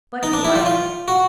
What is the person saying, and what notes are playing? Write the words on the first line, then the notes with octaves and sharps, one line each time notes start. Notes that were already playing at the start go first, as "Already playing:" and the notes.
But he liked it.
D#4
D4
E4
F4
F4
F#4